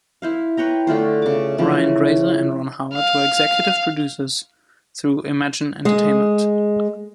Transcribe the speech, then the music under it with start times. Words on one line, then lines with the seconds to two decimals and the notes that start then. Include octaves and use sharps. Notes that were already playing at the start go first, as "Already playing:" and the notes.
Brian Grazer and Ron Howard were executive producers through Imagine Entertainment.
0.22 E4 C5 F5
0.57 B4 C#5 G5 A#5
0.87 D3 A3 F4 C5
1.22 C#3 D6
1.58 C#3 E3 F3 C#4
2.95 F5
5.85 G#3